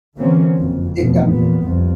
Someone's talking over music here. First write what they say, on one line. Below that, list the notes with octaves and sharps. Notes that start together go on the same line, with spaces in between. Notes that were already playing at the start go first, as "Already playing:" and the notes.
it, um
D3 E3 F#3 A#3 C4 C#4
F#1 F2
F1 E2 B2 F3
E2 A#2 B3
C2 F2